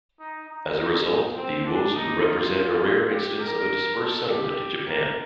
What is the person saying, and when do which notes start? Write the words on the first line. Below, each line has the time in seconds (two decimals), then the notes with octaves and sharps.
As result, the Uozu represent a rare instance of a Dispersed settlement in Japan.
0.20 D#4
0.49 D#4
1.36 C4
1.65 D4
1.95 D#4
2.23 F4
3.11 G4
3.40 A#4
3.99 A4
4.28 G4
4.86 A#4